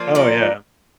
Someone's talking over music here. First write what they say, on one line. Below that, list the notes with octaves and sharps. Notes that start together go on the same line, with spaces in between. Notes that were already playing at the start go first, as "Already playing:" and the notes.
Oh, yeah.
Already playing: F3 A#3 D4 F4
A#4 D5